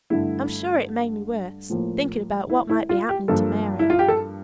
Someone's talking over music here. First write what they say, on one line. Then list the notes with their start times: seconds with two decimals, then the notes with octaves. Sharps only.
I'm sure it made me worse, thinking about what might be happening to Mary.
0.10 G2 D3 A3 E4
1.70 A2 F3 A#3
2.50 E4
2.70 E4
2.89 F4
3.09 G4
3.28 G2 F3 A#3 A4
3.79 E4
3.90 F4
3.99 G4
4.08 A4